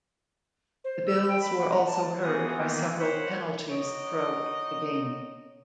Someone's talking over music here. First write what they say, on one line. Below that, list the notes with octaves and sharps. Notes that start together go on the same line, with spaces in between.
The Bills were also hurt by several penalties throughout the game.
C5
E6
G5
B5
F#5
A#5
A5
E3 B3 F4 F#4 G#4 D#6
D#3 E3 A#3 B3
C5 C#5 F#5 B5
D#4 F#4 C#5 D#5 D7